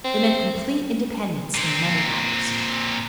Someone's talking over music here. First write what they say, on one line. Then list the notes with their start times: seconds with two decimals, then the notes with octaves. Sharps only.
It meant complete independence in money matters.
0.04 C4
1.55 A#2 C4